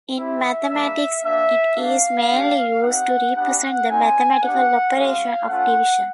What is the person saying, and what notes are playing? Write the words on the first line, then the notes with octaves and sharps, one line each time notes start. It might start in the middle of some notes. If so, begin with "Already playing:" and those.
In mathematics it is mainly used to represent the mathematical operation of division.
C4 E4 G4 E5
G3 A#3 D4 E5
A#3 D4 F#4 E5
A#3 D4 F#4 F5
A#3 D4 G4
C4 D#4 G4 F#5
B3 D4 G4 F#5
C4 D#4 F#4 G#5
B3 D4 G4 F#5
G#3 C#4 F#4 F5
A3 C#4 F4 F#5